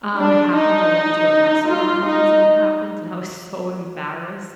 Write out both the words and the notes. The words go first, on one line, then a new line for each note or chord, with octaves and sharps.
Um, it happened I went into a restaurant once, and it happened, and I was so embarrassed.
D4
D#4
F4
D#4